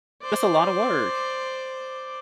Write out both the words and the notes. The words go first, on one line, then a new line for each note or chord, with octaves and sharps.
That's a lotta work.
C5 D5